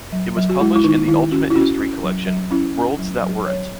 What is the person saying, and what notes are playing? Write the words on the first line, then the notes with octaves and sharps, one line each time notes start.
It was published in the alternate history collection "Worlds That Weren't".
F#3
F#3
F#4
G#3 E4
E4
D#3 D#4
D#3 E4
C#4 F#4
E4
C#4 F#4
C#4
F#3
F#3
C#4 E4
C#4
F#3
F#3
F#3 C#5